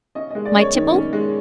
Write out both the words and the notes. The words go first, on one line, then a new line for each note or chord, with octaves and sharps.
My tipple.
C#4 D#5
G#3 D#5
D5
F#2 C#5
D#3
C#4
G#3